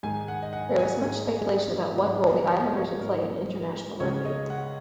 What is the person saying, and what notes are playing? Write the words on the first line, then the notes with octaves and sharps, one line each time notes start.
There was much speculation about what role the Islanders would play in international rugby.
G#2 D#3 G#3 G#5
F#5
D#5
F#5
G#5
G#2 G#3
G#2 F#3 F#5
D#5
A#4
C#5
D#5
C#5
G#2 F#3 A#4
C#2 C#3 G#3 C#5
D#5
F#5